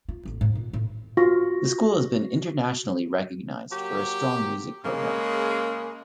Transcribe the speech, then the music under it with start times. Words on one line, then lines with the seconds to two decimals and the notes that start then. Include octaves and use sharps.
The school has been internationally recognized for a strong Music program.
0.09 F4
0.25 A1
0.41 G#2
0.55 A#2
0.73 A2
1.17 F4 F#4 C#6 A#6
3.71 F#3 A#3 G4
4.85 C#3 G#3 A#3 G#4